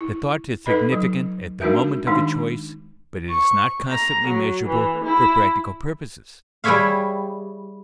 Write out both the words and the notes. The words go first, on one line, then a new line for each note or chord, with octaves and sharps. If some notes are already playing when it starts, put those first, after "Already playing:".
The thought is significant at the moment of a choice, but it is not constantly measurable for practical purposes.
E4
D#4 A4 B4 D#5 B5
F#3
G#3 D4 D#4 F#4 A#4 E5
D#3 G#3 D4 D#4
C#6
A#5
F#3
E3
E4
G3 E4 G#4 C#5 E5 F5